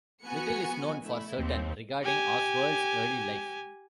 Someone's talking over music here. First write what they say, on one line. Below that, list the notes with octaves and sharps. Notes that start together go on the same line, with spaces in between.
Little is known for certain regarding Oswald's early life.
F3 B3 F#4 G#5 C#7
A3 E4
D#2 C4
G4 G#5